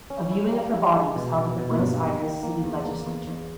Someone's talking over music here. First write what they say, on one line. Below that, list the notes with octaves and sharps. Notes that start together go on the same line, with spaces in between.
A viewing of her body was held at the Buenos Aires City Legislature.
C#4
E4
G3
E4
G#3
B2
B2
B2
A#3
G2 B3
A#3
D#3
A#3
E2
A#3
E2
E2